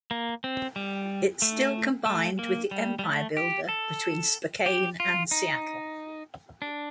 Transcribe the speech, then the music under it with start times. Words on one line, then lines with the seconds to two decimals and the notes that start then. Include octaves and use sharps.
It still combined with the "Empire Builder" between Spokane and Seattle.
0.11 A#3
0.44 C4
0.76 G3
1.42 A3
2.06 A3
2.39 A#3
2.71 G3
2.99 G3
3.04 A3
3.37 G4
3.69 A4
4.66 G4
5.00 F4
5.31 D#4
6.62 D4